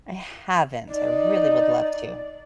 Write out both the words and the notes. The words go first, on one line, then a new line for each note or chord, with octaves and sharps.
I haven't. I really would love to.
D#4 D5